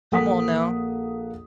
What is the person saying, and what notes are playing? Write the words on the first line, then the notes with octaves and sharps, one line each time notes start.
Come on, now.
A#1 A#3 A4 F#5 D#6 B6